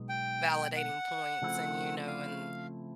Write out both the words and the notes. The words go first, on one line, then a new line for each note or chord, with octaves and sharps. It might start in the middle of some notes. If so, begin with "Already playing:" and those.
validating points, and, you know, and
Already playing: B1 B2 G#3 B3 D#4
G5
F#5
C#3 F3 A3 C4 E4
F5